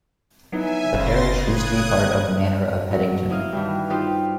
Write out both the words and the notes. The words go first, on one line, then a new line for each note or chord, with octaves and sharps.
The parish used to be part of the manor of Headington.
F#3 B3 D#4 E4 E5 G#5
F#1 C#3 C6 A6 A#6
D#6 F#6 G#6
F#3
E4 D#5 F5
G2 D#3 E3
D#4 F4 G4 C5 F5